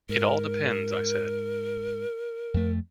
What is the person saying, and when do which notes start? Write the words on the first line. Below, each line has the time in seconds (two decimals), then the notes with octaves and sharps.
"It all depends," I said.
0.09 G#2 A#4
2.54 F2 A3